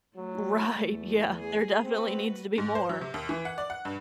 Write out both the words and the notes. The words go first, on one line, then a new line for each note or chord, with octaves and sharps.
Right. Yeah. There definitely needs to be more.
F#3 A3
E2
G#4
A3 C4 F#4 B4
G#2
C5
F#3
C3
D#2
E3
F#5
D5
F#5
G2